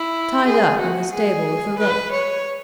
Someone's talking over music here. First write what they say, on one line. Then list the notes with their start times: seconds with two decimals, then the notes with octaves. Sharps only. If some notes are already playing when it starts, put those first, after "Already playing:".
'Tied up in the stable with a rope.'
Already playing: E4
0.46 G#4
0.79 F#4
1.12 G#4
1.78 B4
2.11 C#5